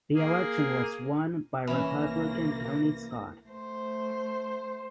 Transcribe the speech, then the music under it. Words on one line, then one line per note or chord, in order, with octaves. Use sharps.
The election was won by Republican Tony Scott.
A#3 G#4
C2 E3 A#3 C#4 A#6
A3 C5